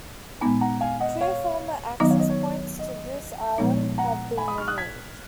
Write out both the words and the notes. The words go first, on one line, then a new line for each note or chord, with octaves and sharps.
Two former access points to Goose Island have been removed.
A#2 G#3 B3 D#4 G#5 B5
F#5 A#5
F5 G#5
D#5 F#5
C#5 F5
D#3 F#3 B3 D#4 D#5
C#5 F5
D#5
C#5
D#5
A#2 F3 G#3 B3 D#4 C#5
F#5 A#5
G#5 B5
B5 D#6
C#6 F6
D#6 F#6
G#6 B6